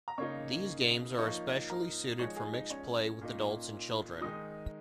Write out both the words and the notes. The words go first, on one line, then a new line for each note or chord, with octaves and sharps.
These games are especially suited for mixed play with adults and children.
A#5
C#3 A#3 D#4 C#5 C#6
F3 A#3 D#4 C#5 C#6
A#4 A#5
F3 G#3 D#4 C#5 C#6
G#4 G#5
D#4 D#5
C#4 C#5
A#2 A#3 D#4
D#3 G#3 D#4 D#5 D#6